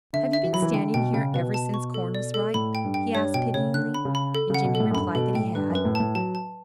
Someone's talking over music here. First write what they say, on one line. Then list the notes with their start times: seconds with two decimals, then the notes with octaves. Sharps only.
"Have you been standing here ever since corn was ripe?" he asked pityingly, and Jimmy replied that he had.
0.13 D3 E5
0.33 E5
0.44 E3
0.53 F#3 B5
0.62 E3
0.73 D3 G5
0.94 B2 G5
1.13 C#3 G5
1.34 B2 B4
1.54 A5
1.74 C#6
1.94 A4
2.15 D5
2.34 A4
2.54 A2 B5
2.75 G5
2.84 G2
2.94 G5
3.14 G2 C#5
3.34 B2 G5
3.54 C#3 C#5
3.74 D3 F#6
3.94 B5
4.05 C#3
4.15 B5
4.35 A4
4.50 C#3 F#5
4.64 B2
4.75 A4
4.80 A2
4.91 F#2
4.95 G2 B5
5.15 B2 A4
5.35 A2 G5
5.55 G2 B4
5.70 F#2
5.75 B4
5.85 A2
5.95 A2 A5
6.15 F#3 A5
6.35 A5